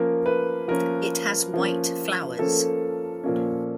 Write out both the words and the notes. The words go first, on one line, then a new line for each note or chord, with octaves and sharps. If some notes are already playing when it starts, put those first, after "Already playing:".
It has white flowers.
Already playing: F3 A#3 C#4 A#4
B4
F3 A#3 C#4 A#4
F3 A#3 C#4
F3 A#3 C#4 A4
A#2 F3 A#3 C#4